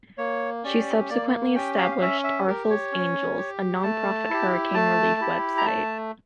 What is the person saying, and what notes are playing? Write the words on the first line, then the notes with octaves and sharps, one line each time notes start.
She subsequently established "Arthel's Angels", a nonprofit hurricane relief website.
A#3 C#5
C#4 G4 D5
A#3 D5
C#4 G4 G5
F5
F5
C#4 E5
E5
G4 A#4
C#5
C#4
G4
A3 A5
E4 G4
A3 A5
E4 G4
A#5
A3 A5